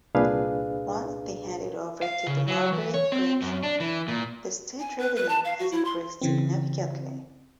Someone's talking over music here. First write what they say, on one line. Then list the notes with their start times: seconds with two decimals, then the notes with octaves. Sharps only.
Once they handed over to the Margaret Bridge, the state revenue has increased significantly.
0.15 C2 A#2 D4 G#4 B4 F5
2.02 F5
2.27 C#3
2.48 F#3
2.72 E3
2.94 C#5
3.12 C4
3.42 F#2
3.63 D4
3.80 E3
4.08 A#2
4.79 G#5
4.99 B4
5.16 B4
5.29 A5
5.45 F5
5.59 F#4
5.72 E4
5.85 C6
6.21 C#3 E3 C4